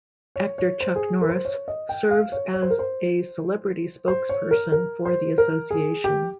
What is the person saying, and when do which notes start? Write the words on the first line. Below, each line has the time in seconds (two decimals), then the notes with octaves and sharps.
Actor Chuck Norris serves as a celebrity spokesperson for the association.
0.36 C#5
0.58 C#5
0.80 C5
0.96 G#4
1.21 A#4
1.29 C5
1.45 C#5
1.68 D#5
1.89 G5
2.11 F5
2.32 C#5
2.54 C#5
2.62 C5
2.70 A#4
2.79 C5
4.08 C5
4.29 C#5
4.51 A#4
4.72 A#4
5.05 C5
5.38 A#4
5.70 G#4
6.04 G4